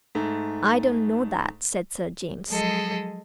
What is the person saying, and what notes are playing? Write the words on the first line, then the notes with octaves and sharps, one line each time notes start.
"I don't know that," said Sir James.
G#2 A3
F3 F#3 G#3 G#4 A4 D#5